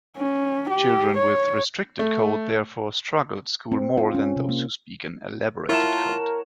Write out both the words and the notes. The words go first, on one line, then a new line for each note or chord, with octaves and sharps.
Children with restricted-code, therefore, struggle at school more than those who speak an "elaborated-code".
C#4
G4
C#5
A3
C4
F4
C#4
C3
A#3
E4 F4 A#4 C#5 F#5 A5